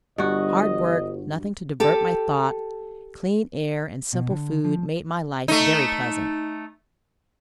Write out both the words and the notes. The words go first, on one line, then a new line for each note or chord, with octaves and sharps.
Hard work, nothing to divert my thought, clear air and simple food made my life very pleasant.
G1 G2 F#4 D#5
G4 A4
B2
D3
F3
A3 D#4